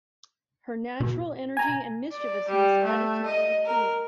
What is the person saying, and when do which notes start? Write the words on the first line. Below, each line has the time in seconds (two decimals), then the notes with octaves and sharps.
Her natural energy and mischievousness added to her appeal.
1.00 B2
1.57 G#5 A#5
2.12 D5
2.48 G3
2.84 A3
3.26 D#5
3.66 A#4